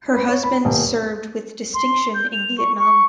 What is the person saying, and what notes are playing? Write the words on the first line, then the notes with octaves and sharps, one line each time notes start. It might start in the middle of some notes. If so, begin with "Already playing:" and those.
Her husband served with distinction in Vietnam.
B4
C#5
B5
D#1
C6
G6
F7
C#6
C#6